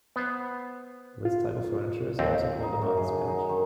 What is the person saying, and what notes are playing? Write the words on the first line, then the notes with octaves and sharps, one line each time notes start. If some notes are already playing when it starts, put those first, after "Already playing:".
This type of furniture is also called a monks bench.
B3 C5
F4
D#2 C4
D#4
F#2
G#4
D3
D#4
D#3